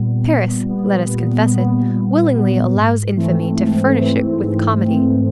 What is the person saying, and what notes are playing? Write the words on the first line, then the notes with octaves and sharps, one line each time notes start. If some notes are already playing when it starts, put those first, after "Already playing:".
Paris,--let us confess it--willingly allows infamy to furnish it with comedy.
Already playing: A#2 G3 B3
A#2
G3 B3
A#2
G3 B3
A#2
G3 B3
G#2
E3 A3 C4
G#2
E3 A3 C4
G#2
E3 A3 C4